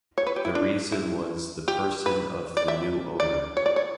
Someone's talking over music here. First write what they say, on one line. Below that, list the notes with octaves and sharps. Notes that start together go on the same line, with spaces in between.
The reason was the person of the new owner.
C#5
B4
G4
E4
D4
E4
G4
B4
D5
E5
D5
C#5
D5
C#5